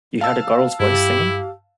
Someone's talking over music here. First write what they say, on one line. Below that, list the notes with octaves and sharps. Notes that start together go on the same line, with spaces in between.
You heard a girl's voice singing?
F5 A5 E6
G2 E4 G4